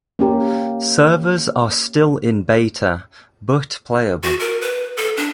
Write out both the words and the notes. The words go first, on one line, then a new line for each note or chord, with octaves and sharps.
Servers are still in beta but playable.
A#3 C#4 G4 A#4
F#4
A#4
B4
A4
D4